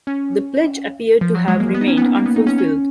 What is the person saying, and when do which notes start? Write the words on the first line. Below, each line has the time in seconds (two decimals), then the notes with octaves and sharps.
This pledge appeared to have remained unfulfilled.
0.07 C#4
1.21 F3
1.35 F#3
1.48 G#3
1.60 A#3
1.74 B3
1.81 D#4
1.88 C#4
1.97 B3
2.02 A#3
2.16 A#3
2.26 B3
2.36 D#4
2.47 C#4
2.58 C#4